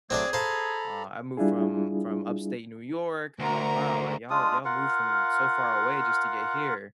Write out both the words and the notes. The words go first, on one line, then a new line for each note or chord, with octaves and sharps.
uh, I moved from from Upstate New York." I'm like, "Wow, like, y'all y'all moved from so far away just to get here."
F#3 A3 C4 D4 G#4 D5
A4 C5 F5 A#5 B5
G3 D4 E4 F4 G#4
D2 A#4 A#5
G#3 D4 F4 D#6
F4 A#4 F5 F#5